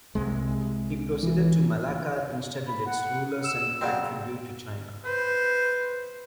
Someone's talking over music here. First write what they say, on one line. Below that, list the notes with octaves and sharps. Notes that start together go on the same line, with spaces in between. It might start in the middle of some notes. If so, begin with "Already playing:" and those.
He proceeded to Malacca instead and its ruler sent back tribute to China.
C2 C3 G#3
E3
B5
F#5
E6
C#3 F#3 C4
B4 C5